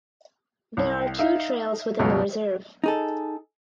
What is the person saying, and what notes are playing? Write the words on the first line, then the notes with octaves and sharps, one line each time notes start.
There are two trails within the reserve.
C2
D#4 E5 F5
C#2 F#2 B2
D#4 G#4 A4